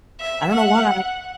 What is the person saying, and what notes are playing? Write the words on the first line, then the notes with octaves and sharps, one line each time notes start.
I don't know why,
E5
F#5